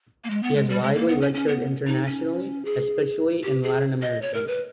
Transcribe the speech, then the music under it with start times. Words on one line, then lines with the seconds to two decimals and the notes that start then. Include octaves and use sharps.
He has widely lectured internationally, especially in Latin America.
0.24 A#3
0.30 G#3
0.43 B3
0.56 G#3
0.69 G3
0.83 G#3
0.95 A#3
1.08 B3
1.21 C#4
1.34 C#4
1.48 B3
1.87 D#4
2.06 C#4
2.65 G#4
3.43 G4
3.63 G#4
4.02 D#5
4.22 C#5
4.34 A#4
4.48 B4